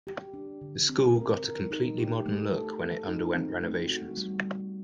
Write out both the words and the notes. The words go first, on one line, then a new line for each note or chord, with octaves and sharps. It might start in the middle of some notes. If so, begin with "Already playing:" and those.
The school got a completely modern look when it underwent renovations.
G4
D4
D3
C4
A#4
A#4
D#4
G4
A3
A4
A4
D#4
C4
A3
F#4
G3